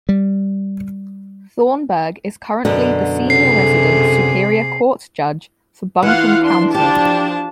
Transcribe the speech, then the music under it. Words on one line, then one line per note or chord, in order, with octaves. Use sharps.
Thornburg is currently the senior resident superior court judge for Buncombe County.
G3
F#2 B2 D3
C3 G#4 A4 C7
E3 F4 F5 F#5
D4 C6
F3 D4 G4 A5